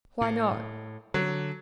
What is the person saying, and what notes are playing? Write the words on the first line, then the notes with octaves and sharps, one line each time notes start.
"Why not?"
A2
D3 F#3